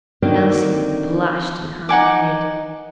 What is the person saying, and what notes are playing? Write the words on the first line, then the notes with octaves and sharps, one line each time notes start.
Elsie blushed and hung her head.
D3 D#3 F#3 A#3 C4 D4
D#4 F#5 G#5 D6